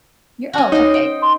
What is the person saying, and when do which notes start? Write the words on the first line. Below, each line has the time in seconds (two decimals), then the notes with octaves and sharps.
you're oh, okay,
0.53 C#4 F#4
0.72 D#4 C5 D#5
0.94 G5
1.22 C6